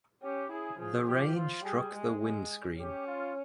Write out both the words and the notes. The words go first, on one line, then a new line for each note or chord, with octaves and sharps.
The rain struck the windscreen.
C#4 G4
E4 G#4
F3 G#4
F3 G4
F4
G3 G#4
G#3
G#3
C#4 G4
F4